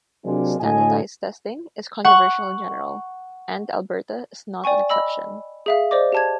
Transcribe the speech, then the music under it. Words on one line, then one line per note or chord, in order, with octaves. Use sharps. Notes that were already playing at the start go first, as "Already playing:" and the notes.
Standardized testing is controversial in general, and Alberta is not an exception.
C3 F#3 G#3 A#3 C4 D4
A2 D3 F#4 A4 D#5 G#5
F#5 C#6
D5 G5 G#5 C#6
D#5 B5 E6 F#7
G#4 E5 F5
C5 D5 D#5 D6
G4 A5 G#6